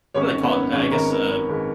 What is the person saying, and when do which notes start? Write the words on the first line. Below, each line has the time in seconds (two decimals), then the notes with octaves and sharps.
what do they call it- I I guess a
0.14 G#1 C#4 C#5
0.34 D#3
0.43 B3 B4
0.53 F#2
0.72 G#1 C#4 C#5
0.91 G#1 A#4
1.10 D#3 A#4
1.30 F#2
1.49 G#1